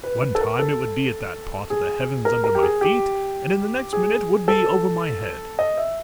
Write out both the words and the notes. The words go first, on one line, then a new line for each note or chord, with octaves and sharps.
One time it would be at that part of the heavens under my feet, and in the next minute would be over my head.
B4
B4
A4
A#4
A4
G#4
A#4
A#4
G4
G#4
G4
G#4
A4
D#5
E5